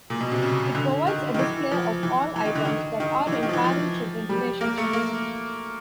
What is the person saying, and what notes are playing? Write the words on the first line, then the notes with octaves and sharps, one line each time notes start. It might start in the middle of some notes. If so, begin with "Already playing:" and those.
It provides a display of all items that are in parent-children relationships.
A#2
B2
C3
C#3
D3
D#3
D#3
E3
F3
E3
E3
D#3
D3
D#3
D#3
E3
D#3
D#3
F3
E3
F3
G3
A#3
A3
A#3